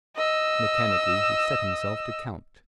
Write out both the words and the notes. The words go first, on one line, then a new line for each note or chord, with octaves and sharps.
Mechanically he set himself to count.
D#5 E6